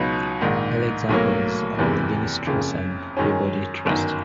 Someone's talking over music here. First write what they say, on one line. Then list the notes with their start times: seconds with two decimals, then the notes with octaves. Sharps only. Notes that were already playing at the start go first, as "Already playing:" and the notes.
Early examples are the Guinness Trust and Peabody Trust.
Already playing: C#2 B2 F#3 B3 D#4
0.41 A#1 G#2 D#3
1.09 B1 A2 F#3 A#3
1.79 F#1 E2 C3 E3 G#3
2.47 F#1 F2 C#3
3.17 F#2 D#3 G#3 C#4
3.86 G1 F#2 D#3